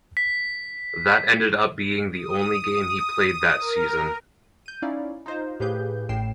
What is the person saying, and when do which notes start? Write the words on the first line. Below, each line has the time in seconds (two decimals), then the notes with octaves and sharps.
That ended up being the only game he played that season.
0.17 B6
2.17 D#6
3.60 A#4
4.66 G6 D#7
4.82 C#4 D#4 E4 D5 F5
5.26 D#4 F4 C5 D#5 F5
5.60 A2 G4 G#4 B4 F5 G6
6.09 A1 A2 G5 C7 E7